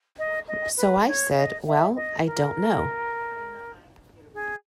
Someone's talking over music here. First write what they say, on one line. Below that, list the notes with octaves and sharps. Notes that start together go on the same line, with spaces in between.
So I said, 'Well, I don't know.
D#5
D#5
B4
C#5
D#5
E5
D#5
A#4
G#4